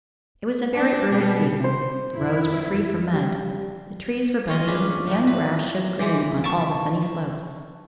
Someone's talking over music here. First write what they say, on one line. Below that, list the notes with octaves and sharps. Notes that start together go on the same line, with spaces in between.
It was a very early season, the roads were free from mud, the trees were budding, and the young grass showed green on all the sunny slopes.
D4
B2 G3
C5
F2 E4
G3
F4 C#5 D#5
C#4 D4 G#4 B4
A2 F3
B4
E3 G#3 G4
A5 C#6